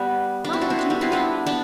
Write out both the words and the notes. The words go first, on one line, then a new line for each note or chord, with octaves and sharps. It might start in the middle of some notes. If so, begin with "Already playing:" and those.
Mamma! do you hear me?
Already playing: G3 B3
B3 D4
C4 E4
D4 F#4
C4 E4
B3 D4
G3 B3
C4 E4
B3 D4
B3 D4